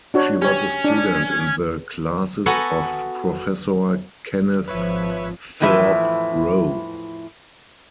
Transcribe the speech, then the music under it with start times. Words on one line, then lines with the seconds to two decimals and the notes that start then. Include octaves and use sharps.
She was a student in the classes of Professor Kenneth Thorpe Rowe.
0.14 D4 F#4 C#5
0.42 C#4 G4 C#5
0.84 D4
2.46 B3 F#4 A4 G#5 A#5
4.68 G#1 F3 B4 C#5 E5
5.60 E2 A2 E3 F3 E4 E5